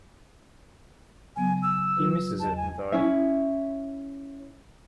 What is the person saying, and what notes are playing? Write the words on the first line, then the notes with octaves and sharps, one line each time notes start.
He misses it, though.
C#3 F#3 B3 G#5
E6
F#3 F4 B4
E2 D#5 A5
G#5
C#4 E4 E5